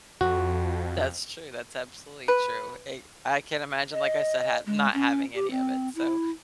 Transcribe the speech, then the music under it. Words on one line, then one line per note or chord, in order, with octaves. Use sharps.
That's true, that's absolutely true. Ay I can't imagine, like I said, ha not having any of it, so
F2 F#4
B4
D#5
G#3
C#4
G4
C4
E4